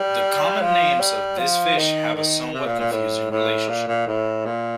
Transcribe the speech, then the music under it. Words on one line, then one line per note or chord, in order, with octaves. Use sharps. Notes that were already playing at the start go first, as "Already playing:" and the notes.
The common names of this fish have a somewhat confusing relationship.
Already playing: G3
F3
G3
F3
D#3
D#3
C3
A#2
A#2
A2
A2
A#2
A#2
A2
A#2